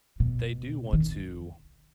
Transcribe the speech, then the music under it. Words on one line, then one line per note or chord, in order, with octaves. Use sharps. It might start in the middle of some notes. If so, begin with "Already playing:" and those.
they do want to
B2
D#3